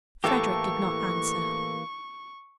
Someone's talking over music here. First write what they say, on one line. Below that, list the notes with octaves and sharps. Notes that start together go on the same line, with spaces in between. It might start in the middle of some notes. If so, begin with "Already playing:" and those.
Frederick did not answer.
A2 E3 A#3 G4 A4 E5 C#6